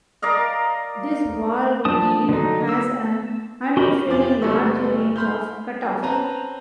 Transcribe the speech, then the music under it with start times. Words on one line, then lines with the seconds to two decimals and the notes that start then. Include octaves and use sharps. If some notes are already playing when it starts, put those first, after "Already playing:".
This valve gear has an unusually large range of cutoff.
0.22 A#4 D5 D#5 F5
1.85 F3 D4 A5 D#6
2.29 D3 F#3 D#4
2.69 E6
3.77 F#4 G4 A#4 D#5 B5
4.08 F1 F3 G4 G#5 D6 A6
4.42 F#1 G3 A3 E4 C#6 E6
5.16 B5 C6 F6 G6
6.03 C4 C#4 B4 A5 A#5